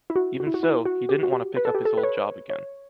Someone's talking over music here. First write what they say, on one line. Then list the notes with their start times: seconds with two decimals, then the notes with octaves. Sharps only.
Even so, he didn’t want to pick up his old job again.
0.10 E4
0.16 F#4
0.40 F#4
0.47 E4
0.54 F#4
0.63 E4
0.85 F#4
1.09 G4
1.23 F#4
1.33 G4
1.57 B4
1.65 A4
1.75 G4
1.85 A4
1.97 B4
2.03 C#5
2.50 C#5